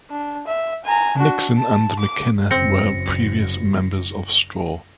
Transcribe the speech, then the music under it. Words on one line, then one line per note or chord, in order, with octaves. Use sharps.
Nixon and McKinna were previous members of Straw.
D4
E5
G#5 A#5
D4 F#4
A5
D6
F#1 F#2 C4 A#6 C#7